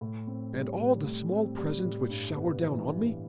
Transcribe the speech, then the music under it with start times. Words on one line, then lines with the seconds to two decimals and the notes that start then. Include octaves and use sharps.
And all the small presents which showered down on me?
0.01 A2
0.27 C4
0.53 G3
0.80 A2
1.05 A2
1.32 C4
1.58 G3
1.84 A2
2.10 G2
2.36 B3
2.62 E3
2.88 G2